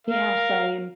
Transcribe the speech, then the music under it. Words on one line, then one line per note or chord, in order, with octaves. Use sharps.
Yeah, same.
A#4 F5